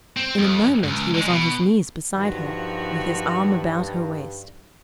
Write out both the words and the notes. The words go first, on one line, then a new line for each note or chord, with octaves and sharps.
In a moment he was on his knees beside her, with his arm about her waist.
C4
F2
C#2 G#2
D3 G#3
B2
G2 D#3 F3 F#4